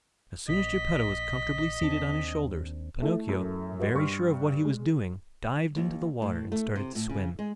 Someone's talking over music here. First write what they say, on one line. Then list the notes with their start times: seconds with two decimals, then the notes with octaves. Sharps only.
As soon as Geppetto was comfortably seated on his shoulders, Pinocchio, very sure of what he was doing, dived into the water and started to swim.
0.49 A#1 D#5 B6
1.81 D#2 C4 D4
3.02 A3 E4 A4
3.29 F#2
3.80 F#4 B4 D#5
3.95 G2 C6 C#6 F6
4.65 G#3
5.77 D#2
6.22 A2
6.52 A3
6.76 C3
6.95 A2
7.09 C#3
7.39 G#3